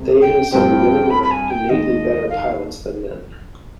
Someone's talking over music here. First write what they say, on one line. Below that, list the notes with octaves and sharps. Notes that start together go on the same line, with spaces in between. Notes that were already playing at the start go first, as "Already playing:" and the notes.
Thaden said women were innately better pilots than men.
Already playing: D2 C3 G#3
G5
G2 F3 C4 G4 G5
B5
B5
G#5
G5
D#2 D#3 G#3 D#5
F5